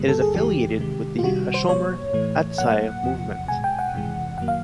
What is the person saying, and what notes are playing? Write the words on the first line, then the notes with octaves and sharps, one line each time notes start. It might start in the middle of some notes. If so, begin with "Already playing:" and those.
It is affiliated with the Hashomer Hatzair movement.
Already playing: G2 D3 G3 A#3
A4
G#4
E2 C#3 E3 G#3 G4
C3 D#3 G#3
F4
C3 D#3 G3 F#4
C5
B2 G3 A#3 C#5
A2 E3 A3
A2 F#3 A#3 F#5
E2 C3 F3
B2 G#3 G#5
G5
F#5
F2 C3 E3 G#3
F#2 D#3 F#3 A#3 F#5
F5